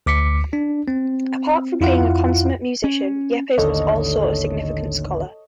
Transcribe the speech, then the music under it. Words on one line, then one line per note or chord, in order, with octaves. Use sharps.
Apart from being a consummate musician, Yepes was also a significant scholar.
D2 D6 B6 C#7
D4
C4
F2 E4 F4 F5 F#5
C#4
A1 D#2 D3 A4 C#5 D#5